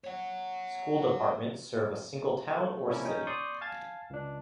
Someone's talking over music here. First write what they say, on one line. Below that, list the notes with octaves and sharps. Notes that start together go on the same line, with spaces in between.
School Departments serve a single town or city.
C#5 F#5
A3
C3 F3 G3 A#3 C#4 E4
C#4 D#4 G5 G#5
D5 C6 C#6 D#6 G6
F5 G#5 A5 G#6 A6
C#2 D4